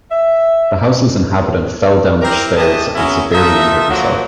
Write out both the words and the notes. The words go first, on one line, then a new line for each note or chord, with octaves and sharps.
The house's inhabitant fell down the stairs and severely injured himself.
E5
C4 E4 G4 A#4
E3 A3 G4 G#4 D#5 A5
G#3 B3 C#4 E4 F#4 A#4
D#4 F4 A4 E5
F3 F#3 A#3